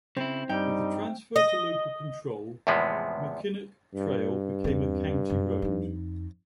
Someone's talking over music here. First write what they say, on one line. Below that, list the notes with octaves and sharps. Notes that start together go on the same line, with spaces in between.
With the transfer to local control, Mackinac Trail became a county road.
C#3 C4 E4
G2 G3 D#4 G5
D#5
E2 A2 C3 F3 G#3 B3
G2
E2 C4
F#2
F2 D#4